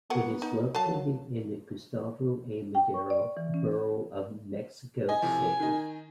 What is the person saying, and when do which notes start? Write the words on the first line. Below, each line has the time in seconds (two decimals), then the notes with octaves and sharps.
It is located in the Gustavo A. Madero borough of Mexico City.
0.10 F#3 A#3 B3 F#5
0.42 D#4
0.75 F#3 B4 F5 A5
2.75 G5
2.94 C#6
3.10 D5
3.37 E3
3.54 C#4
5.09 D#5 G#5
5.22 A2 C3 F3
5.60 D#3 D#4